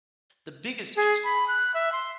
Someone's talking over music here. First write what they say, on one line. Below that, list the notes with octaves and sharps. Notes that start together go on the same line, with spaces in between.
the biggest
G#4
B5
F#6
E5
C6